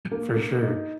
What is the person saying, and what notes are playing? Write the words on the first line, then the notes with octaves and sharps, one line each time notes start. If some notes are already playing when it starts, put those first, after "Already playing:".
For sure,
A#3
A#3
D#4